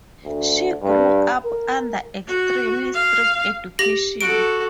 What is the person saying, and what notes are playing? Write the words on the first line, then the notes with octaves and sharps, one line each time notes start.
She grew up under extremely strict education.
D2
G2
A#4
F#4
F5
G4 A#6 F#7
F#4 A4 D7